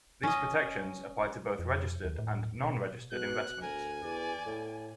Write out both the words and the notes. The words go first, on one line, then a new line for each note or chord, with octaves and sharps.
These protections apply to both registered and non-registered investments.
C#4 D#5
F2
D#2
A2
B2
B2 F#6
D2 A#4 G#5
E2 D5
A2